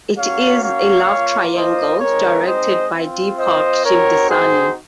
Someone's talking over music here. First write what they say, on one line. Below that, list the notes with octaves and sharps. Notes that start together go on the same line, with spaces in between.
It is a love triangle directed by Deepak Shivdasani.
A#3 C#4 F#4 C#5 F5
C#5 F5
A#3 F4
C5 D#5
G#3 C4 D#4 A#4 C#5
C5 D#5
C4 F4
C5 D#5
C4 D#4 F#4 A#4 C#5
G#4 C5